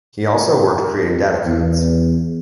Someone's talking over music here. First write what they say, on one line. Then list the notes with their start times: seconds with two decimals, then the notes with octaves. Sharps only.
He also worked creating data codes.
1.45 E2